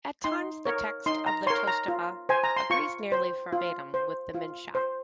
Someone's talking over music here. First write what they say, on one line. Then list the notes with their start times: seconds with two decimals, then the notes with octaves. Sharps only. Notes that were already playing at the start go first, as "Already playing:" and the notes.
At times the text of the Tosefta agrees nearly verbatim with the Mishnah.
0.24 D#4 C6
0.66 A#4 C#5
1.06 D#4 C6
1.26 A#5
1.46 A#4 C#5 C6
1.67 A#5
1.88 F4
2.29 C5 G#5
2.44 A#5
2.57 C6
2.70 F4 C#6
3.12 C5
3.53 F4
3.94 C5
4.35 F4
4.75 C5